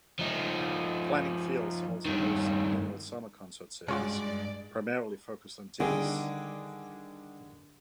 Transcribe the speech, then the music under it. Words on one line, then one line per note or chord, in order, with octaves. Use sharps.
Planting Fields also hosts an annual summer concert series, primarily focused on jazz.
F3 D#4
G2 D#3
C2 G2 G#3 C#4 F4 F#4 D5
D3 D#3 G3 G#4